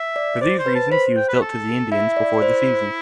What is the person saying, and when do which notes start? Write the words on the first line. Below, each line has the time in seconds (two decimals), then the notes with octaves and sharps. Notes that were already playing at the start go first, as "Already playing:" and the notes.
For these reasons, he was dealt to the Indians before the season.
Already playing: E5
0.16 D5
0.41 C5 D5
0.59 C5
0.66 B4
0.75 A5
0.92 C5 B5
1.16 G5
1.29 B4
1.41 A4
1.91 E4 E5
2.17 D5
2.42 C5